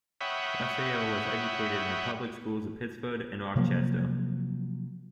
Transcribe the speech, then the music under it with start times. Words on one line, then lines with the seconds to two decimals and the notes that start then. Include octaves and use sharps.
Rouseau was educated in the public schools of Pittsford and Rochester.
0.21 C#5 E5 F#5 G5 B5 D#6
3.56 C3 F3 F#3 A#3